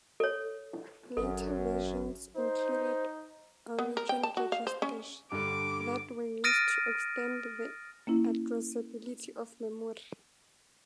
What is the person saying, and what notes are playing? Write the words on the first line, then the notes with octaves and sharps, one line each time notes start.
Later versions included "origin registers" that were used to extend the addressability of memory.
A4 C#5
G#1 F#2 A4
D#4 C5
B3
A#4
G5
A5
F#4
F5
C5
C#4
G2 D3 D6
D#6 F6 A6 A#6 D7 D#7
A#3 C#4 E4